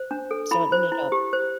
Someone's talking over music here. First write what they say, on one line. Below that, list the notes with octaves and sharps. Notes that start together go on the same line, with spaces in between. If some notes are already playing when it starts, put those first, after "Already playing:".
So it ended up
Already playing: C5
D4
A4
E4 B5
C5
E4
G4
C5